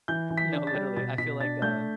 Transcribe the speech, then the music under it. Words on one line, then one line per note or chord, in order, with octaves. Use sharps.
No, literally. I feel like, uh
E3 G6
E3
B6
D4
A6
G3
B2 A6
B2 B6
D4 A6
A3 G6